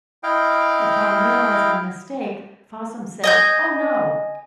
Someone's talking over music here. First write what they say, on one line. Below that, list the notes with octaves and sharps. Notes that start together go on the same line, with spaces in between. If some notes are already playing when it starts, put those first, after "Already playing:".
Upon realising the mistake Fossum said: Oh no!
E4 D#5 F5 G5
D#5 G#5 G6